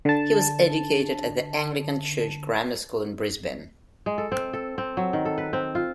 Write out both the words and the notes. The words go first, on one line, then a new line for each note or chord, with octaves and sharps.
He was educated at the Anglican Church Grammar School in Brisbane.
D3 A5
G#3
A4
C4
A4
C4
F#3
D#3
A4
B4
C4
F4